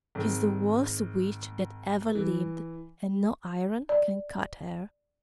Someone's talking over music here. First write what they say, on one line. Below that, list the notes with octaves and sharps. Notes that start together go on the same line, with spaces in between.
She is the worst witch that ever lived, and no iron can cut her.
G#1
E3
D5